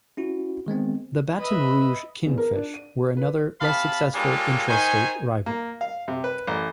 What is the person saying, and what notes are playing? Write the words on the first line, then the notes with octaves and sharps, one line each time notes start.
The Baton Rouge Kingfish were another, less successful intrastate rival.
C#4 E4 F#4
D#3 G#3 B3 C4
B4 D#5 E5 B5
E2
A#4
D4
D#7
B4
C3 F5 A5 B5
G3 G#3 A#3 C#4 F4 A4
D#3 D#4 C5 G#5
A#3
F5
C3
B4
A1